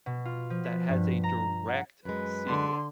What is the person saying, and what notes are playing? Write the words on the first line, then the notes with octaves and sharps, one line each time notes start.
that has a direct sequel.
B2
F4
F3
B4
G2
A#5
F#5
F#2 G#3 B4
D3 C6